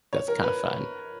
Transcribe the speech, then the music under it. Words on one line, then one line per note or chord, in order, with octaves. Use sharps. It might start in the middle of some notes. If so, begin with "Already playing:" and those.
that's kind of fun
C#5
A#4
B4